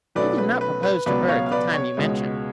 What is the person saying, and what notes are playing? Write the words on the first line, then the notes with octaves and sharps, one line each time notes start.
He did not propose to her at the time you mention.
B1 B2 A3 C#4 B4 D5
B4
B4
B4
C#2 B2 F#3 B3 B4 D5
C#5 F5
F5
B4 D5
C#5
C#2 B2 G#3